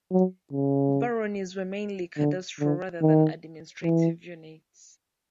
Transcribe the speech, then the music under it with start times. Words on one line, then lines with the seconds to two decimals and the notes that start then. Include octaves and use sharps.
Baronies were mainly cadastral rather than administrative units.
0.11 F#3
0.53 C#3
2.18 D3
2.60 D3
3.01 D#3
3.83 E3